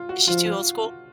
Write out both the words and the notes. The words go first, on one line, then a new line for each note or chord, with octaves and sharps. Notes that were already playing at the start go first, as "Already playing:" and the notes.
Is she too old school?
Already playing: F4
F#4
F3 F4
F4